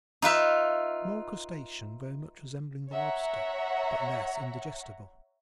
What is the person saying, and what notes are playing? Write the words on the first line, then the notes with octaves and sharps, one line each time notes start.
A small crustacean very much resembling the lobster, but less indigestible.
D#4 F4 B4 E5
C#5 E5 F#5 A#5